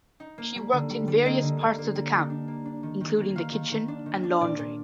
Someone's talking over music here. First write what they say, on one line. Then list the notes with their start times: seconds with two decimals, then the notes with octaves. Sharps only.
She worked in various parts of the camp, including the kitchen and laundry.
0.20 D#4
0.38 A#3
0.55 G3
0.72 D3
0.90 G3
1.08 G3
1.25 A#3 D#5
1.43 D3
1.61 A#3
1.78 A#3
1.95 G3
2.13 D#4
2.30 D4
2.48 A#3
2.65 D4
2.83 D#3
3.01 D#3
3.18 A#3
3.36 D#3 F5
3.52 D#3
3.71 D#3
3.88 D4
4.06 D#3
4.24 D4
4.40 A#2 D5
4.59 A#2